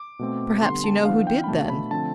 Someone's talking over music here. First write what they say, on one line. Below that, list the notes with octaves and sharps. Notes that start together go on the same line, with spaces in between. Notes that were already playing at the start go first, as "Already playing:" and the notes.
"Perhaps you know who did, then?"
Already playing: D6
B2 A3 C4
D3 G3 B3 C6
A5
E3 B3 D4 F5
G5
B5
B2 A3 D4 A5
B5
D3 F3 A3 C4 A5